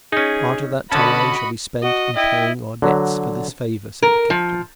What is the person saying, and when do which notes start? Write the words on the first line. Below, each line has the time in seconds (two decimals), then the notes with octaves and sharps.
"Part of that time shall be spent in paying our debts for this favour," said the captain.
0.12 C#4 D#4 G#4
0.92 D3 C#4 F#4 D#5 A5 B5
1.83 F#4 D#5
2.16 E4 D#5 G5
2.82 D3 F#3
4.02 A#4
4.30 F3